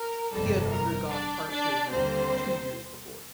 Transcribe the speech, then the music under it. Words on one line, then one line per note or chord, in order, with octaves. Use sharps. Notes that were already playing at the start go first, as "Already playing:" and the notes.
He had undergone heart surgery two years before.
Already playing: A#4
G1 F2 C3 G3 A4
A#4
D4 D5
D4 D5
D#2 D3 G3 A#3 C4 C5